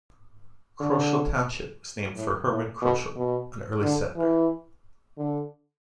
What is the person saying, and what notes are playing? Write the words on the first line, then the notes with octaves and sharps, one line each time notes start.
Kroschel Township was named for Herman Kroschel, an early settler.
D3
A2
A2
B2
B2
D3
E3
D3